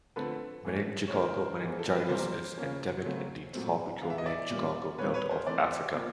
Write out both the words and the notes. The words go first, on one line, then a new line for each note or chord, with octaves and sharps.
Meningococcal meningitis is endemic in the tropical meningococcal belt of Africa.
D3 F3 A3 C4 A4 B4
E3 A3 C#4
C#5
D3 F3 A3 A#4 C5
E3 G#3 B3
A4
A#4
B4
C3 E3 G3 A#3 A#4 C5
C#3 F3 A#3 C#4
C#3 F#3 A3 C4
A#2 F#3 A3 C4
E3 G#3 B3 F5
E5
D#5
D5 E5
A#2 G3 A#3 C#4
A#2 G3 C4 B4 C#5
B4 C#5
A#4 C5
E3 A3 C4 C5 D5
F3 A#3